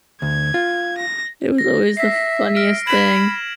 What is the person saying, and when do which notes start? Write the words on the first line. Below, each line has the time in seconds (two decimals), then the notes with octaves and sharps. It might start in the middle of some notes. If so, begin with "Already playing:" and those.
It was always the funniest thing.
0.22 D2 G#6
0.54 F4
0.98 A#6
1.58 A#6
1.97 E5 B6 C7
2.57 F6 D7
2.87 B5 G#6 E7 F#7